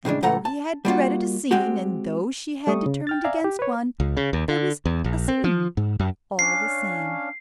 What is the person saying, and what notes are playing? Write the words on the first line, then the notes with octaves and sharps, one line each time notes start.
And though he had dreaded a scene, and though she had determined against one, there was a scene, all the same.
A2 C#3 G#3 D4
C#2 A2 A4 F#5 A#5
A5
G3 A#3 F4 F#4
G#3 C4 F#4 G4
G3 A3 C#6 D#6
C#3
G5 F6 A6
D5 E5 F5 G#5 A#5
G4
B4 C#5
C#2
C#3
D#2
D3
E2
A#1
C4
F3
G#2
F#2
C#4 D4 F5 C7